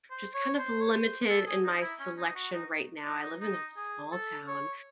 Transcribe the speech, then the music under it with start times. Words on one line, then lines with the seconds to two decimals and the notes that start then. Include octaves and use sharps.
just kind of limited in my selection right now. I live in a small town,
0.10 C5
0.34 C#5
0.58 C5
0.81 C#5
0.93 C5
1.29 A4
1.46 G#4
1.64 D#4
1.82 E4
1.99 C#4
2.18 D#4
2.35 F#4
2.53 D#4
3.06 D#4
3.41 D#4
3.77 G#4
4.12 A4
4.47 C#5